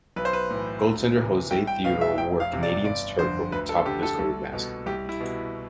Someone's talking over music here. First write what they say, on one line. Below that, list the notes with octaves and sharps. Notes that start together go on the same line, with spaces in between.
Goaltender Jose Theodore wore a Canadiens tuque over the top of his goalie mask.
B1 B4
C5
B4
A2 E3
D2
C3 E3
C2 G5
G5
B2 F5
E5
F1 G5
F5
E2 C3
D5
G1 D5
F2 D3 C5
D2 B4
A4
D3 G4
A4
C2
B2
C2 G4
E4
B2